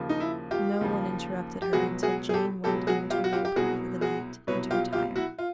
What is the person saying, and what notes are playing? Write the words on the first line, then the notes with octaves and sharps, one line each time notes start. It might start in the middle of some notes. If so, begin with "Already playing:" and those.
No one interrupted her until Jane went in to robe her for the night, and to retire.
Already playing: D#2 C#3 F3
D#4
E4
F4 G4
D#2 C#3 F3
G4
C#2 B2 F#3 F#4 G#4
F#4 G#4
G#4
G4 A4
C#2 B2 F#3 G4 A4
F#4 G#4
F4 G4
F#4
F4 G4
G4
C2 B2 F#3 F#4 G#4
F#4 G#4
C2 B2 F#3 B4 C#5
F4 G4
F4 G4
E4 F#4
F4